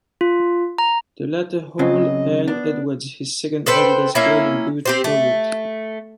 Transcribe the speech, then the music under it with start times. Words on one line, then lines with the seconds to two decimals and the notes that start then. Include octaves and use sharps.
The latter haul earned Edwards his second Adidas Golden Boot award.
0.21 F4
0.78 A#5
1.79 C#3 F#3 C4 D#5
2.48 B3 D4
3.66 A4 B4 C5 G5
4.15 A#3 C#4 E4
4.85 C4 G4 C5
5.04 A3